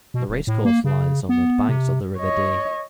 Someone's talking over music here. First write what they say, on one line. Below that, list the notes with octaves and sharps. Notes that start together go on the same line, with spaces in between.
The racecourse lies on the banks of the River Dee.
B2
D#1
A2
A#3
C#3
B3
C3
C#5 D#5